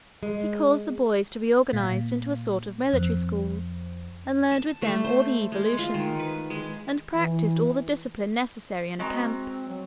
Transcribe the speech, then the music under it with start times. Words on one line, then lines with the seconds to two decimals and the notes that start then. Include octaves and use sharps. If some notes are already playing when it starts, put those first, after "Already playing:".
He caused the boys to be organized into a sort of military school, and learned with them all the evolutions, and practiced all the discipline necessary in a camp.
0.23 G#3
1.73 A#2
2.93 F2
4.51 A5
4.82 A3
5.04 C5
5.52 G#3
5.79 F4
5.94 D#3
6.19 B4
6.50 G#3
7.15 E3
9.00 G#3 C4 F#4 A#5
9.68 F#3